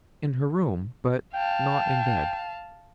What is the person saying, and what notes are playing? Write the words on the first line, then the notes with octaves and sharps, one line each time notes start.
'In her room, but not in bed.'
F5 G5 A5